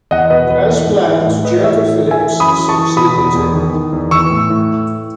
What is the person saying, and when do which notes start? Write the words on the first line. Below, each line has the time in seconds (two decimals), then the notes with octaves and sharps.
As planned, Joker Phillips succeeded him.
0.11 E2 D#5 F#5
0.30 B2 B4 D#5
0.50 E2 B4
0.69 E3
0.87 G#2
1.07 E3
1.25 A2
1.44 E3 B4 D#5
1.64 A2 C#5 E5
1.83 E3
2.02 E3
2.11 E5 G#5
2.20 E3
2.40 F#2 B5 D#6
2.59 E3
2.69 A5 C#6
2.78 E3
2.97 B2 B5 D#6
3.17 E2
3.35 E2
3.54 D#3
3.74 D#3
3.93 E2
4.11 E3 C#6 E6
4.30 A2
4.50 A2